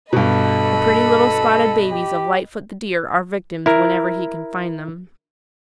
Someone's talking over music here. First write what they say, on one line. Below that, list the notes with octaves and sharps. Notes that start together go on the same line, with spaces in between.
The pretty little spotted babies of Lightfoot the Deer are victims whenever he can find them.
G2 B2 A4 D#5 B5
G4
E4 A#4